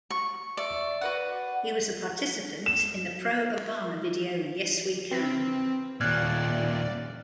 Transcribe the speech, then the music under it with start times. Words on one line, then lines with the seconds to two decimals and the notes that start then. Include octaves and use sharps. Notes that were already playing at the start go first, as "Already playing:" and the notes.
He was a participant in the pro-Obama video, "Yes We Can".
0.10 C#6
0.57 D5 E5 C#6
1.01 F#4 B4 F#5
2.66 E7
5.11 C4 B4
6.01 D#2 A#2 D5 F6 F#6 G#6